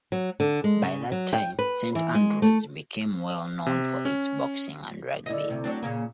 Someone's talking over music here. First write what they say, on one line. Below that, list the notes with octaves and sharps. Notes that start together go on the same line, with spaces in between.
By that time, Saint Andrew's became well known for its boxing and rugby.
F#3
D3
G#3
C#3
F#3
G5
B4
E3
G#3
A3
C3
C#4
D3 E4 D#5
D2 C3
F#3 C4 D4
A#2 C#3 A#3